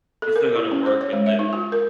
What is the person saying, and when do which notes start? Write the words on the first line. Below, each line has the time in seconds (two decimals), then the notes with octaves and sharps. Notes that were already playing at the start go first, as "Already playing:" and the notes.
you still gotta work and live.
0.22 A4
0.36 A#4
0.56 E4
0.72 C#4
0.86 C5
1.01 C#5
1.13 G#3
1.26 E5
1.39 D#4
1.53 F4
1.72 A#4